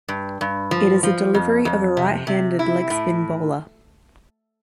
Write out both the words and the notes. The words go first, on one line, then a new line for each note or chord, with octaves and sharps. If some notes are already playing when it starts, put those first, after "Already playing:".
It is a delivery of a right-handed leg spin bowler.
G2
G2
F3
F3
F2
F2
C3
C3
E4
A2